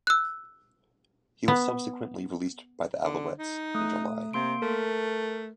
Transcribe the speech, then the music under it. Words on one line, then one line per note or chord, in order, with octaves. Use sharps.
He was subsequently released by the Alouettes in July.
E6 F#6
B3
D3
D#4
A3 D#6
C3 A#3 C6 D7
A3 A#4